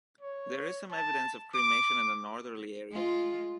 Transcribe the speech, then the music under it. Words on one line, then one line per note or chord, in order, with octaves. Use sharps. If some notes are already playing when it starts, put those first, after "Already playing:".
There is some evidence of cremation in the northerly area.
C#5
A5
D6
G#3 F4